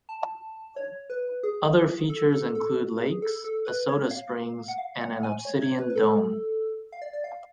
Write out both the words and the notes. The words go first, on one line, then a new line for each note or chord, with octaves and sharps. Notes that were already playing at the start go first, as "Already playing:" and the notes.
Other features include lakes, a soda springs, and an obsidian dome.
A5
C#5
B4
G#4
A4
A4
A4
G#4
A4
A4
B4
C#5
F5
F#5
F5
F#5
G#5
C#5
C#5
B4
B4
A4
F5
D5
D5
F5